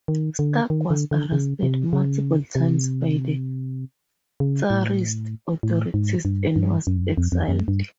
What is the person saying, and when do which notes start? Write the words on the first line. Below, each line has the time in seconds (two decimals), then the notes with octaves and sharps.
Stark was arrested multiple times by the Tsarist authorities and was exiled.
0.08 D#3
0.39 D3
0.70 D#3
0.90 D3
1.11 D3
1.32 C#3
1.63 C3
1.93 C#3
2.55 C3
4.40 C#3
4.70 A2
5.63 A2
5.94 G#2
6.25 G2
6.56 G2
6.87 F#2
6.97 F2
7.02 F#2
7.17 F2
7.32 F2
7.48 F#2
7.68 G2